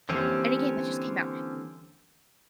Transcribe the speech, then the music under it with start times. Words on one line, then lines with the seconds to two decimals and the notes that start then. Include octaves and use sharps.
any game that just came out,"
0.09 D3 E3 G3 A#3 C4 C#4